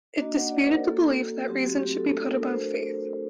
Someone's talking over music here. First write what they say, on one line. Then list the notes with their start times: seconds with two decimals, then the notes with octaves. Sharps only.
It disputed the belief that reason should be put above faith.
0.19 A#3 D4 F#4 D#5
0.36 F#5
0.52 D5
0.63 C5
0.68 A#4
0.83 A#3 F#4 A4
1.47 F#3 A3 C4 G4
1.63 F#4
1.79 G4
1.90 G4
1.95 A4
2.11 A3 D4 F#4 A4
2.27 A#4
2.43 C5